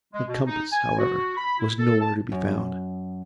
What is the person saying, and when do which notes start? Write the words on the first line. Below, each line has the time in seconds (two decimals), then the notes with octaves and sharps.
The compass, however, was nowhere to be found.
0.13 G#3
0.27 B2
0.46 D#4
0.72 G#5
0.98 F#4
1.37 B5
1.58 E4
1.79 A4
2.00 A5
2.32 F#2